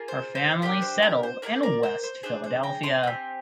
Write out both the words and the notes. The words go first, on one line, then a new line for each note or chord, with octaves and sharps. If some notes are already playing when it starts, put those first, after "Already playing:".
Her family settled in West Philadelphia.
Already playing: A#3 F4 G#4
C5
C5
D4 G4 A#4 D5
C5
A#4
C5
A#3 D4 G#4 A#4 D5
A#4 D5
C5
C5
D4 G#4 C5
C5
G5 A#5
G#5 C6
C4 G4